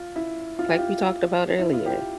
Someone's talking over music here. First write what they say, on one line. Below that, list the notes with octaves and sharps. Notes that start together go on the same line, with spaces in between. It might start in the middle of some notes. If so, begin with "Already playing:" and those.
like we talked about earlier,
Already playing: F4
E4
F4
G4
F4
E4
F4
G4